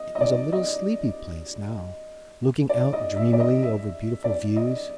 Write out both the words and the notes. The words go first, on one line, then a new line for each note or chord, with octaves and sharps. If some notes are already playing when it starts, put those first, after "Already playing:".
It was a little sleepy place now, looking out dreamily over beautiful views.
Already playing: D#5
D#5
D5
D#5
D5
D#5
E5
D5
D#5
E5
D5
D#5